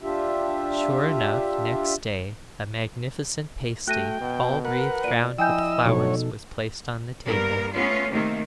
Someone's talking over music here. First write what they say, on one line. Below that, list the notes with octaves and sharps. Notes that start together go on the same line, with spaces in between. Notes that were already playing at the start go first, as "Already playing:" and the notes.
Sure enough, next day a magnificent pasty all wreathed round with flowers was placed on the table.
D4 F4 G4 E5
A3 F#4 G5 F#6 A#6 D#7
B2
A#4 B4 F#5
A#2 D5 D7 D#7
F3 E4 D#5 G5 G#5 E6 G6
D2 B2 F#3 D#4 A4 C#5
G2 A#3 B3 A#4
A3 B3 C#4 F4
C3 D#3 A3 A#3